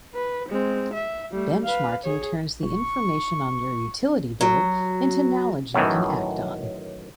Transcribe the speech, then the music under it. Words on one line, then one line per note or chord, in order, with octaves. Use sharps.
Benchmarking turns the information on your utility bill into knowledge you can act on.
B4
G#3 C4
E5
G3 A3
B4 F5
G#4 C#5
D#1 C#6
F#3
F#2 A2 D#3 E3